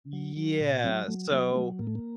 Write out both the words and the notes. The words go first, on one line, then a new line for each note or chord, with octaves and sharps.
Yeah, so
F#3
F#3
A#2
F#3 C4
F#3 A3
F#3 A#3
A#3
F#3 A3
A2 A#3
A3
A#3